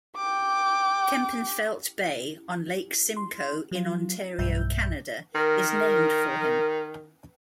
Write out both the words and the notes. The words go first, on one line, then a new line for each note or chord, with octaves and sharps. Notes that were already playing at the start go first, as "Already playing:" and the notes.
Kempenfelt Bay on Lake Simcoe in Ontario, Canada, is named for him.
G5 D6
C6
F#3 F4
B1 G2 E5 G6
D#3 A#4